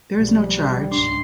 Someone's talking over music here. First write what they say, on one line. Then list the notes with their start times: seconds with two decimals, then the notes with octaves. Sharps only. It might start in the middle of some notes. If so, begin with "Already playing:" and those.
There is no charge.
0.13 B1 F3 G3
0.92 C#2 G#2 D4 C6